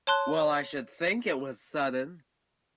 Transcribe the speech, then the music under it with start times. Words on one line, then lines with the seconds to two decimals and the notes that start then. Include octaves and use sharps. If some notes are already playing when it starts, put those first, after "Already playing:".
Well I should think it was sudden!
0.07 C#5 A5 C6 F#6